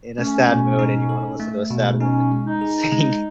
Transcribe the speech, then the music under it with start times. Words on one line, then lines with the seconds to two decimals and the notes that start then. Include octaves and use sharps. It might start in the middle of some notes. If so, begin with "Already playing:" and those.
in a sad mood and you wanna listen to a sad woman sing
0.18 A3 C#4
0.49 B2
0.79 D#4
1.09 A4
1.40 A3
1.71 B2
2.01 C#4 D#4
2.32 G#3
2.46 D#4
2.61 G#4
2.92 G#3